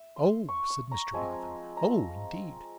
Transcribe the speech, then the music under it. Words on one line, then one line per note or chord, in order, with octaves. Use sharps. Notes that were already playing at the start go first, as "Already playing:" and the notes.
'Oh!' said Mr Boffin. 'Oh indeed!
Already playing: E5
C6
C#6
C#6
A#5
F3 G#3 C4 F4 G#5
A#5